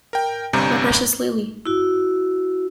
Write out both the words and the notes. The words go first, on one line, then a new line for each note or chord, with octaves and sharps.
My precious Lily!
A#4 G5
G1 G2 C3 G3 A#5 G6
E4 F#4